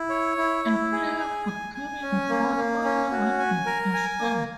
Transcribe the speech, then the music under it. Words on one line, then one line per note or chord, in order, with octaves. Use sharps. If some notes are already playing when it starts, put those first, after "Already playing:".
A player could carry the ball only when being pursued.
Already playing: E4
C#5
E4
E4
G#4
G#5
G#5
G#5
C#4
A#3
A#3
C#4
F#4
G#5
A#4
G#5
A#3